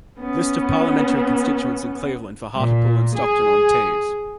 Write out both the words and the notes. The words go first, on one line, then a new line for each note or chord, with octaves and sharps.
List of Parliamentary constituencies in Cleveland for Hartlepool and Stockton-on-Tees.
B3 C#4
A#2
G#4